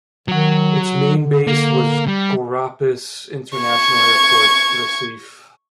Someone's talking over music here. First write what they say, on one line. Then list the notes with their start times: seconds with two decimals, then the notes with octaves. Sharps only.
Its main base was Guararapes International Airport, Recife.
0.28 D#3 F#3 F#4
1.11 D3
1.47 A#3
2.07 G3
3.59 C#6 G#6